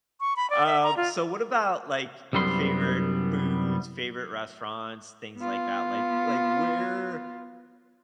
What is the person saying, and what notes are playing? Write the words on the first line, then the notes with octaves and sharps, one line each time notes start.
um, so what about, like, your favorite foods, favorite restaurants, things like that, like like, where
C#6
B5
D5
E5
A#5
F4
C2 F#2 G3 B3 C6
B3 F4